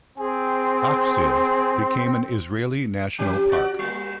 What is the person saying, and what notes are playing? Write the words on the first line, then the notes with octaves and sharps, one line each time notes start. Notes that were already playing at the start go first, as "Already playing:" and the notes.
Achziv became an Israeli national park.
C4 G#4
E3 C#4 G4
C#4 F#4 D5
G3 A#3